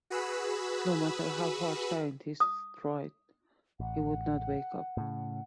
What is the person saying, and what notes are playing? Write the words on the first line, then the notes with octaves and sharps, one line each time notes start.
No matter how hard scientists tried, he would not wake up.
F#4 G#4 B4 B5 E6
D#6
A1 F#5
A2 C#3